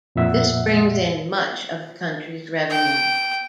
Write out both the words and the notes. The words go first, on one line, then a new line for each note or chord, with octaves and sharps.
This brings in much of the country's revenue.
F2 A#2 E5 F#5
G5